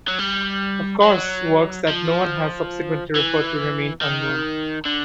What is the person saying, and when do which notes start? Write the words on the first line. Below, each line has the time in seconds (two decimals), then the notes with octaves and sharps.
Of course works that no one has subsequently referred to remain unknown.
0.08 F#3
0.19 G3
1.03 F#3
1.88 F3
3.15 E3
4.02 D#3
4.86 D3